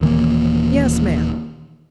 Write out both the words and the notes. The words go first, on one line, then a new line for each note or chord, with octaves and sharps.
"Yes, ma'am."
D#1 D#3 E3 A#3